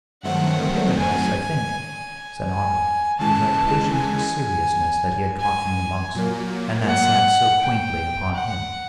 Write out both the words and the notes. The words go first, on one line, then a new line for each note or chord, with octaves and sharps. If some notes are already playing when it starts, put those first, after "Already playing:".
"From paradise, I think," said Otto, with that patient seriousness that he had caught from the monks, and that sat so quaintly upon him.
G2 D#3 F#3 A3 C4 F#5
G#5
G#5
D#2 C#3 E3 G#3 A5
G#5
G#5
A#2 F#3 A#3
F#5
G5
F#5